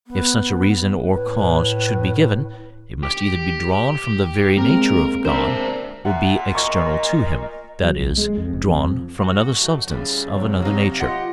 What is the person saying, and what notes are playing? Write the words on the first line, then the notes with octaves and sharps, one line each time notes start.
If such a reason or cause should be given, it must either be drawn from the very nature of God, or be external to him--that is, drawn from another substance of another nature.
B3
A2 B4
G4
G#3 A#3 C4 A#4
D4 A#4 C5 E5
A#2 E5 F#5
A#4 D#5 C#6
F#3
B1
G#3
F2
F#1
F2
G2 F#4
D#3 F#3 A3
A2 C#3 G3
C3 F#3
A#3 D#4
F4 G4 D#5 F#5